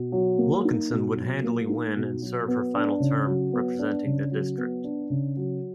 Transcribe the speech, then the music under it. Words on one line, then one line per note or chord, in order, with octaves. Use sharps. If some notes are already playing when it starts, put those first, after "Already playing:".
Wilkinson would handily win and serve her final term representing the district.
Already playing: B2
F#3
A#3
D#4
B2
F#3
A#3
D#4
B2
F#3
B3
D4
C#3
F#3
B3
D4
C#3
F#3
B3
D4
C#3
F#3